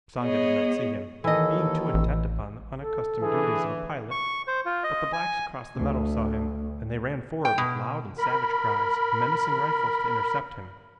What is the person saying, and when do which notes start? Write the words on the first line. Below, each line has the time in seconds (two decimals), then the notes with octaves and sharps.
Usanga did not see him, being too intent upon the unaccustomed duties of a pilot, but the blacks across the meadow saw him and they ran forward with loud and savage cries and menacing rifles to intercept him.
0.19 B3 G#4 C#5 D#5
1.24 D#2 D#3 E3 A4 D#5
1.94 A1
2.80 A4
3.22 D3 E3 G#4
4.11 C#6
4.48 C5
4.66 F4
4.84 D#5
5.13 G#5
5.76 D2
7.45 G5
7.58 B2
8.17 A#4 B5